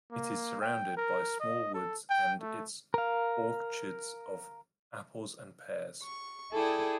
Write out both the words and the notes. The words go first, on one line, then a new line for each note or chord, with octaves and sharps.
It is surrounded by small woods and its orchards of apples and pears.
A#3
G5
A#4
D#5
A4
G5
A3
A#4 F5
C#6
E4 G#4 A4 D5 G5 D#6